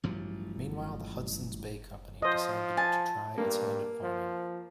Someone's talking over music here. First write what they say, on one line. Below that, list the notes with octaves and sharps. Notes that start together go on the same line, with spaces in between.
Meanwhile, the Hudson's Bay Company decided to try its hand at farming.
A1 G2 F3 F#3
F3 C5 D#5
G#5 A5
G2 A#3
F3